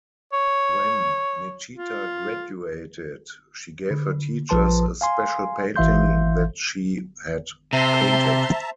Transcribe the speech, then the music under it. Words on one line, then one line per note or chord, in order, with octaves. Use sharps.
When Nechita graduated, she gave her teachers a special painting that she had painted.
C#5
F4
D3
A#1 F3 B4 A5 C6
F5 G#5 C6
G#1 E3 E5 F5 C6 G6
C3 C5 E5 A5 A#5 C6